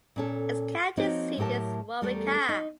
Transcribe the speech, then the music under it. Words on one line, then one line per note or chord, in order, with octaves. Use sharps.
Its county seat is Waurika.
A#2 C#4 A4
F3 A#3 C4 D#4 F#4 C#5
A2 F#3 G4 A#4 A5
E2 G3 A3 A4 A#4
D#4